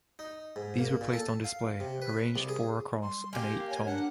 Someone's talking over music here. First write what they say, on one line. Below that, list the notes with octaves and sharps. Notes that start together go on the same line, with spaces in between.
These were placed on display, arranged four across and eight tall.
D#4
G#2
A#3
A#2
A4
F5
C3
B4
C2
G#4
G3 C6
A#3 G4 F5 G#5
C#5 G#5
D4 F#5